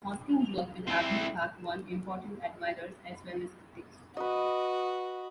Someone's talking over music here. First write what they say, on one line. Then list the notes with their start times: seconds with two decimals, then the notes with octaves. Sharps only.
Hosking's work at Abney Park won important admirers, as well as critics.
0.87 C4 E4
4.17 F#4 B4 D#5